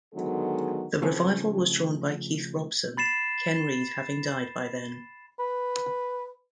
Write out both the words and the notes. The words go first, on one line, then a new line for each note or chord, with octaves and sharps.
The revival was drawn by Keith Robson, Ken Reid having died by then.
D3 D#3 F#3 G#3 B3 A4
C#3 F3 A3 C4 C#4
B5 A6 C7 E7
B4